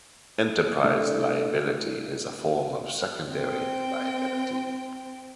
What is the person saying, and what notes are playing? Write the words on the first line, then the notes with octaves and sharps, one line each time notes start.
Enterprise liability is a form of secondary liability.
A3 D4
C4 G5